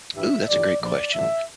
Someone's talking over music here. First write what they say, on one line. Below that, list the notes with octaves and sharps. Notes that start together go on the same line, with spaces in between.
Ooh, that's a great question.
A1 G2 E3 E5
G1 G2 E3 D5
A#1 A#2 F3 D5
A1 G2 D3 F3 E5